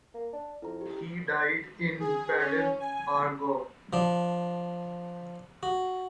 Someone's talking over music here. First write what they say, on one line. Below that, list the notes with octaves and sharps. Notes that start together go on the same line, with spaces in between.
He died in Baden, Aargau.
A#3
D4
F2 E4 A#5
G4
G#4
C#4
G#5
F3 D4
F#4